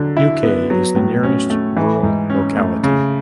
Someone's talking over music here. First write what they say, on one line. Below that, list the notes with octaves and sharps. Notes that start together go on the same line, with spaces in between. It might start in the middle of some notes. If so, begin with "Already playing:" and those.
Uk is the nearest rural locality.
Already playing: D3 F#3
E4
B3
F#3
A2
C#4
A3
E3
G#2
C#4
A3
C#3